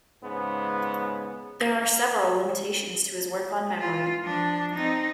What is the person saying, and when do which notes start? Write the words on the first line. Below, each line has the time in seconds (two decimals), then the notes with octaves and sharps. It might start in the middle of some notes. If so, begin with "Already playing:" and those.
There are several limitations to his work on memory.
0.23 G#2 C#3 B3
3.80 F4
4.22 F3 D4
4.75 C4 D#4